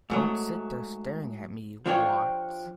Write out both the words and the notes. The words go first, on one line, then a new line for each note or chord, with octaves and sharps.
Don't sit there staring at me, Watts.
G#2 F#3 A3
F3 D4 F4 G4 C5 C#5